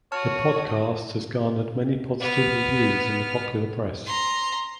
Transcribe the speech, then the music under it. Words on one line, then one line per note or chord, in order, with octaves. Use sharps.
The podcast has garnered many positive reviews in the popular press.
F#4 C#5 A5 D#6 F6
B3 F6
A#5 C6